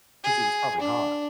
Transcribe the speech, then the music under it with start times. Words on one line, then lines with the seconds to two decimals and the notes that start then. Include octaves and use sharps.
'Cause it was probably hot.
0.24 G#4
0.80 D4